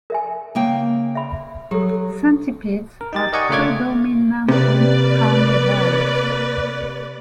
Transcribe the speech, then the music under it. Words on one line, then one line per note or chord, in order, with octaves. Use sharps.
Centipedes are predominantly carnivorous.
A#4 E5 G#5
C#3 A#3 G5
E5 B5
F#3 G4 A4
A#4
D#4 G4 A6
A#4 D5 D#5 F#5 G#5 C#6
C#3 A3 F4 C#5 D6 G#6
C3 A#3 B4 D5